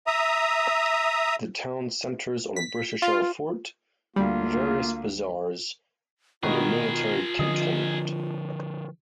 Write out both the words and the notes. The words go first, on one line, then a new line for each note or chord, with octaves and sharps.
The town centers on a British-era fort, various bazaars and a military cantonment.
E5 A#5 D#6
B6
F4
D2 G3 A#3 F4
B2 D#3 F4 G#4 A#4 B4
D3 F3 D#5